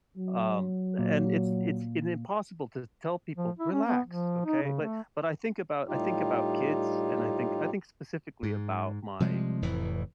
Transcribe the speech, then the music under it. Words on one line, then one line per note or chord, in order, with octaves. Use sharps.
Um, and it's it's in impossible to tell people, "Relax. Okay?" But but I think about I think about kids, and I think I think specifically about my,
F#3
A#2
F3
E4
C#4
B3
F3
D#4
C#3
A3
A2 G3 D#4 F4 G4
G#2
C3 F3 G3 G#3
F1 F2 A2 E3